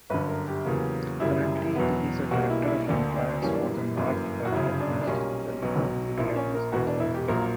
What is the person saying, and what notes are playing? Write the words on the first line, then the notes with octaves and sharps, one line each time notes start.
Currently he is the Director of Compliance for the North Bergen Municipal Utilities Authority.
G1 F#2 D3 B4
A#4
G4
E2 C#3 F#3 A#3
F#1 F#2 C#3 G3 E4
E2 B2 F#3 B3
B1 B2 G3 A#3 F#4
E4
D4
E4
D2 D3 A#3 D4
D4
F#2 E3 G3 A#3 C#4
D4
G1 F#2 E3 A#3
F#4
G1 F#2 C#3 E4
D4
D4
B1 A#2 G3 A#3 C#4
B1 B2 F#3 B3
A#1 A#2 A#3 E4
D4
C#4
A#4
E1 E2 B2 F#4
D4
E4
G4
A#1 A#2 F#3 A#3 A#4